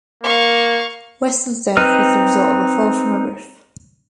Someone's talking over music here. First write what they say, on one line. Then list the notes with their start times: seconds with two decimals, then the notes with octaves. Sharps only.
Weston's death was the result of a fall from a roof.
0.24 A#3 F5 C#6
1.77 C4 D#4 B4 F6